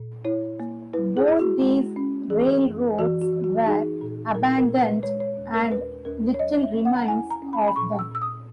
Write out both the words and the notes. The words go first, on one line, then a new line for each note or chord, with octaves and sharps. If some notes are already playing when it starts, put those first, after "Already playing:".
Both these railroads were abandoned and little remains of them.
Already playing: A#2
E4 C#5
A#3
E4 B4
G#4
E4
F#4
G#3
C#4
E3 G#4
F#2
E3 F#4
F#4
E3
F#4
D#4 G#4
A#2
A#2 A#4
A#4
A#2
B4
G#3 C#5
C#5
D#2
A#4
D#2 B4
D#2 A#4
C#5
F#3 D#5
E5
C#4
F#5
A#5
E4 G#5
A#5
C#4
B5
B5
A#2 C#6
E6
A#2 E6
D#6